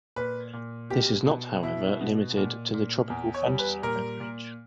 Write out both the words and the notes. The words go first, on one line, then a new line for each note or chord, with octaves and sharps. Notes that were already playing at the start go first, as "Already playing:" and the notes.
This is not however limited to the Tropical Fantasy beverage.
A#2 B4
A#2
B2 G4
B2
B2 E4
B2
A#2
A#2
E2
C#5
G3
B4
A#2 A#4
A#2